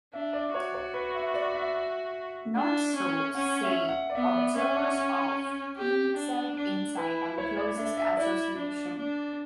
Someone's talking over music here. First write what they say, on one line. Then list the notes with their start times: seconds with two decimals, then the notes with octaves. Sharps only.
"Not so," say observers of keenest insight and closest association.
0.13 D4 E5
0.33 D5
0.54 F#4 C#5
0.75 C#5
0.94 B4
1.15 E5
1.34 D5
1.55 E5
2.55 D4
2.95 C#4
3.35 C#4 F#5
3.63 E5
3.89 F#5
4.10 D5
4.15 B3 E5
4.36 D5
4.56 C#4 E5
4.76 F#5
5.76 G4
6.16 D4
6.57 D4
6.97 E4 B4
7.37 E4 C#5
7.57 D5
7.77 D4 E5
7.97 E5
8.17 E4 D5
8.58 D4
8.98 D4